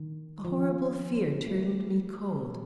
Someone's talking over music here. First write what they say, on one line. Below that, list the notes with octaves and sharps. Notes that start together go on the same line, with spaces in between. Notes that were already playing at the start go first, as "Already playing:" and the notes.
A horrible fear turned me cold.
Already playing: D#3
F3
A3